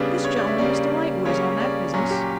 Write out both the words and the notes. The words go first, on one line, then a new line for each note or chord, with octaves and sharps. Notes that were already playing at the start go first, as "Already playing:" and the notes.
'This gentleman, Mr Lightwood, is on that business.'
Already playing: C#3 G3 B3 D4 B4
C#5
D5
E5
C#3 G3 A#3 C#4 D5
C#3 G3 A#3 C#4 C#5
D5
A#2 F#3 C#4
G4